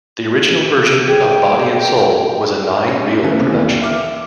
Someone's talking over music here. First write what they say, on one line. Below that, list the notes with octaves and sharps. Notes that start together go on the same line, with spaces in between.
The original version of "Body and Soul" was a nine-reel production.
G#4 G5
C#4 C#5
C#3 A3 E4 B4 C5
D#2 C3
D#2 B2 D3 E3
E5 D6 F6